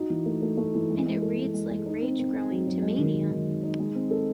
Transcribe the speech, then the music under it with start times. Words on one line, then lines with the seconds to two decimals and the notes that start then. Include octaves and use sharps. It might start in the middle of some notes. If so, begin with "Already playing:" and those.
And it reads like rage growing to mania!
Already playing: D#4 F#4
0.10 E3
0.26 A3
0.42 A3
0.57 A3
0.75 E3
0.90 G#3
1.06 G#3
1.22 A4
1.38 G#3
1.54 G#3
1.71 G#3
1.86 D#4
2.03 C4
2.19 C4
2.35 D#4
2.51 F#3
2.67 F#3
2.82 G#3
2.98 D#3
3.15 D#3
3.31 D#3
3.47 D#3
3.63 D#4
3.80 G#3
3.95 C4
4.11 A4